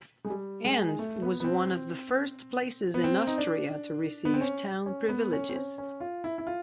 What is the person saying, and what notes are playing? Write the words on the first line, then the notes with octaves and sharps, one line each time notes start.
Enns was one of the first places in Austria to receive town privileges.
G#3
G3
G#3
A3
B3
B3
C4
B3
C4
D#4
D4
B3
C4
C#4
C#4
B3
C#4
C4
C#4
C#4
F4
E4
E4
F4